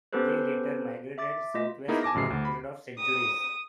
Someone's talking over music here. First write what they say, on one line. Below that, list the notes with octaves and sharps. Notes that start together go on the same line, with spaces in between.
They later migrated south West over a period of centuries.
B3 C#4 G4 A4 B4 C5
E5 D6 A6
A3 F4 D#5 B6
A#3 B3 D#4 E4 G#4 A#4
G#5 A5 D6 A#6
A1 F#2 C#3 C7
D2
B5
D#6